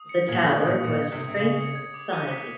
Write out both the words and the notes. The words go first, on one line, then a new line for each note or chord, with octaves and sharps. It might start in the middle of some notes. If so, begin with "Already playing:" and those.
The tower was straight-sided.
Already playing: D#6
C#7
A#2 G#6
C3
B2 D#6
A#2 D#6
A#2 C#7
G#6
C3
D#6
C3
C#3 D#6
C#7
G#6
D6
D#7
B6